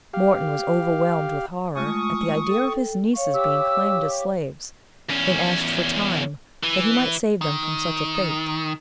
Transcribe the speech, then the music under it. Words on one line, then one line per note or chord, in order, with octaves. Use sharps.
Morton was overwhelmed with horror at the idea of his nieces being claimed as slaves, and asked for time, that he might save them from such a fate.
G4 F5
G#3 A3 F4 C#6 D#6
A4 G5
C#5 F5 C#6
G4 E6
E2 C#4
E3
D#3